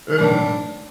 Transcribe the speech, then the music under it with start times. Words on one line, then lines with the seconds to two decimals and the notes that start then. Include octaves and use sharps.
And, m
0.18 B1 A2 E3 D4